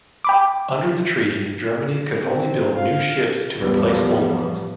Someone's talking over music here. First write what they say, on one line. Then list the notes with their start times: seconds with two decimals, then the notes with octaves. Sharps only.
Under the treaty Germany could only build new ships to replace old ones.
0.24 G5 B5 D6
2.21 C4
2.75 F5
3.60 E2 A2 C3 F3 G3 B3